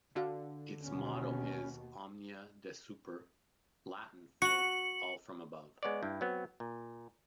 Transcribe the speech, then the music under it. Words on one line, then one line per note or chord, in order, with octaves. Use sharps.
Its motto is "Omnia Desuper", Latin for "All From Above".
D3 D4 F#4 F5
D#2 B2 C#4
F#4 C#7 F#7
G#3 B3 C#5 D5
G2 E4 G5
F#3 B3 C4
A#2